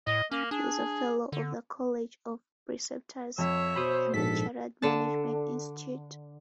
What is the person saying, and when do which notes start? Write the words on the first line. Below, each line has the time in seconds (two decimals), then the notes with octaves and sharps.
He is a Fellow of the College of Preceptors and the Chartered Management Institute.
0.07 A2 D#5
0.31 A#3 C#4
0.51 D4 G#4
1.32 D3
3.38 F2 C#5 E5
3.76 B2 C5 B5 D#6
4.14 A#1 G#2 A4 B6
4.82 D3 A5